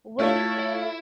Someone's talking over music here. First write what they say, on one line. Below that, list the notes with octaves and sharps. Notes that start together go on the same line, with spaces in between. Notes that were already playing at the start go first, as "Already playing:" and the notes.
What do you think?
A3 E4 F4 A4 C#5